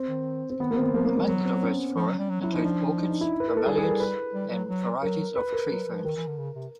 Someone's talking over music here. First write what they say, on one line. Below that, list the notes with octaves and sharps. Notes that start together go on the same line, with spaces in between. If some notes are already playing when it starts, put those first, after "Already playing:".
Among the diverse flora include orchids, bromeliads and varieties of tree ferns.
Already playing: C4
D#3
C4
D#3 B3
A#3
D#3 C4
B3
F3 A#3
F#3 A#3
G3 A#3
F#3 B3
C4
C#4
F3
F#3
G3
F#3
F#3 E4
F3 D#4
F3 D4
D#4
D#4
E4
B4
A#4
A4
G3 G#4
G#4
A#4
B4
G3
F#3
F#3
F#3 A#4
B4
A#4
F#3
F3
D#3 A#4
E3
D3
C#3
C3